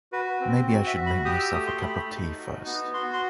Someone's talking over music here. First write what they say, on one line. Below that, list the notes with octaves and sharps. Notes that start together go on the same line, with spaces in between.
Maybe I should make myself a cup of tea first.
F#4 B4
C4
F#4
E5
F#4
B5
G4 D#6
E6
A3 D#6
C6
A3 B5
D#4
F#4
B3
F#4 C6
C6